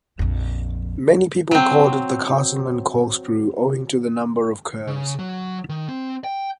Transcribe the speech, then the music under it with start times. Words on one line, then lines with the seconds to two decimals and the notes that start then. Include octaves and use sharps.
Many people called it "The Castleman Corkscrew" owing to the number of curves.
0.19 A#1 F2
1.51 F#3 C4
4.87 C#3
5.19 F#3
5.69 D#3
5.88 C4
6.24 G5